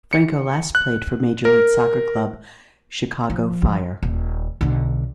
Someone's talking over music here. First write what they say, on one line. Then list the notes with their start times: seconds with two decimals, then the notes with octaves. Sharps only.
Franco last played for Major League Soccer club Chicago Fire.
0.13 C#7
0.75 F#6
1.45 A#4
3.30 F3
4.03 D#1
4.61 B1 D3